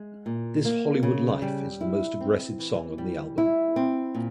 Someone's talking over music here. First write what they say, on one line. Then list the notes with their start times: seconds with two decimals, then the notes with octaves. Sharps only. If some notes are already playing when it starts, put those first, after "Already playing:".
"This Hollywood Life" is the most aggressive song on the album.
Already playing: G#3
0.26 A#2
0.65 A#3
1.03 C#3
1.42 G3
1.81 E4
2.20 C4
2.59 E3
2.98 G3
3.38 E4
3.76 C4
4.15 A#2